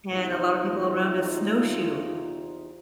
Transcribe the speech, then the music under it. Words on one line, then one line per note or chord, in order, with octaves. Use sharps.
and a lot of people around us snowshoe.
E2 C3 D#4 F4